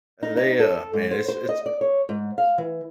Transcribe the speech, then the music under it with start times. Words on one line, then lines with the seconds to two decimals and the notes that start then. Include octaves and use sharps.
they, uh, man, it's it's
0.23 D#4
0.37 D#4
0.60 A4
0.93 G#2
1.11 C5
1.28 C5
1.49 D#5
1.66 D5
1.81 C#5
2.09 G#2
2.38 F5
2.58 E3